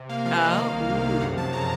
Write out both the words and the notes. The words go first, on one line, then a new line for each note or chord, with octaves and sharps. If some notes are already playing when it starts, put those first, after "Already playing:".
Oh Ooh.
Already playing: C3
A#3 F5
F3 F5
A#3 D#5
D#3 F5
C2
C3
C3 F5
F#2 F#5
F3 A5
C#3 A#5